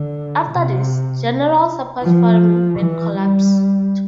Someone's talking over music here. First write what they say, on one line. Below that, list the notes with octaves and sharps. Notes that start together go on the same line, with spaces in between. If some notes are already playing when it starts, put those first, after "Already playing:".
After this, general support for the movement collapsed.
Already playing: D3
C3
F3
E3
G3